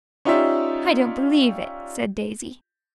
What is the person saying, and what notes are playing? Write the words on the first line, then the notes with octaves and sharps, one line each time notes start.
"I don't believe it!" said Daisy.
C#4 D#4 F4 G4 D5 E5